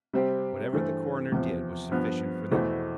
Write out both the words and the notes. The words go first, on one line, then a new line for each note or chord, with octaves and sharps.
Whatever the coroner did was sufficient for them.
C3 G3 C4 G4
G2 E3 A3 C4
E2 C3 F3
G2 F3 B3
E2 B2 A3 C4 E4